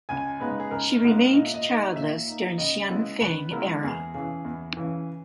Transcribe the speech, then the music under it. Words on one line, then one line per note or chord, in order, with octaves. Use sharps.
She remained childless during Xianfeng era.
C#2 G#5
C#3 G#3 B3 D#4 B4
G#4
C#2 A#4
C#3 G#3 B3 D#4
A#2 D#5
E5
D#5
A#3 D#4
A#2 E5
A#3 D#4
C#2 D#5
C#3 G#3 B3 E4
C#2 B4
C#3 G#3 B3 E4 A#4
E2 G#4
C#3 E3 G#4
E2
C#3 E3